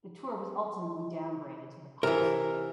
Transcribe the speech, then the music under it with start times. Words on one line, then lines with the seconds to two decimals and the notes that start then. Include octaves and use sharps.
The tour was ultimately downgraded to the pub circuit.
2.03 C3 E3 A#4